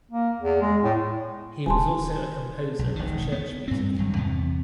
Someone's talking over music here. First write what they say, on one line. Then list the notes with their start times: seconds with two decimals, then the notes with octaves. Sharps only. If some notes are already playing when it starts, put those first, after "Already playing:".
He was also a composer of church music.
0.12 A#3
0.41 E2
0.62 G#3
0.83 A2
1.66 D#1 G#5 A5 C6
2.79 B1
2.96 E1 D#3
3.32 B3
3.68 G2 C4
3.98 G#1 G2 F#3
4.17 E2 C3 B3